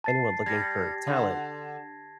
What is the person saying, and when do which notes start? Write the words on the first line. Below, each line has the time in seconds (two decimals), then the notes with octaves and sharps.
anyone looking for talent.
0.04 A5 A6 C7
0.46 G3 G#6 A#6
1.07 D3